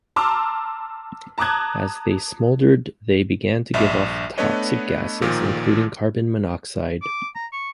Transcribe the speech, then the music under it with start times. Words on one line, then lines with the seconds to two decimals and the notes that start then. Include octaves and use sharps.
As they smouldered they began to give off toxic gases, including carbon monoxide.
0.16 A5 A#5 C6 D6 E6 F6
1.38 A5 A#5 D6 D#6 F#6 G#6
3.74 A#1 G2 D#5 E5
4.38 A3 B3 D4 B4 C#5 D#5
5.22 A1 A#2 D#3 F3
7.02 D6
7.36 A#5
7.53 C#6